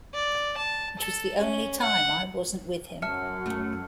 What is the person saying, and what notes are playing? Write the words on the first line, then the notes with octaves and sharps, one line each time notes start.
It was the only time I wasn't with him.
D5
A5
A4
C#4
F#5
F#2 F#3 E5 A5 F6 C#7
A3